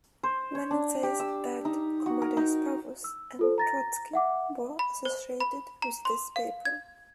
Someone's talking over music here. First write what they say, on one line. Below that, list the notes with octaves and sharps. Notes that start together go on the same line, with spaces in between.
Lenin says that "Comrades Parvus and Trotsky" were associated with this paper.
C5
C#5
D4
G4
E6
D#4
F#4
A#4
D#4
E6
F4 A4 C5
A#5 A6 A#6
E5 F#5 D6
B5
C5
B5
A#5
C6
F5
G#6